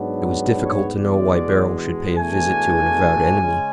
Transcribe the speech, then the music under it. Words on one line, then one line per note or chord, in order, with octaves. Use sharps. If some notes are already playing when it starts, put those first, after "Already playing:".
It was difficult to know why Beryl should pay a visit to an avowed enemy.
Already playing: G#2 F#3 B3 D4
C#5
E2 B2 G#3 D5
E2 B2 A3 D4 G#5
C#3 G#3 C#4